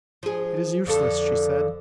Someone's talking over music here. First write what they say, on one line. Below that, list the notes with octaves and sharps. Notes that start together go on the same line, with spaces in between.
"It is useless," she said.
F3 G#4
F2 D3 A4